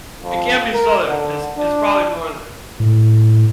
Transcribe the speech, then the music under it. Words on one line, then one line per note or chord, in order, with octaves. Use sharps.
It can't be Southern; it's it's probably Northern.
F2
A#4
D3
D4
A2